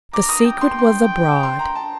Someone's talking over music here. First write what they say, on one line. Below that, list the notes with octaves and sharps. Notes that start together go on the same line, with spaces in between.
The secret was abroad.
A#5 D6
D#6
G5
C6
C6
C6
A#5
A5